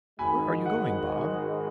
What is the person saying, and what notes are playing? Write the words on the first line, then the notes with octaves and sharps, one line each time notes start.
"Where are you going, Bob?"
G#2 D#3 G#3 D#4 F#4 G#5 B5
F#5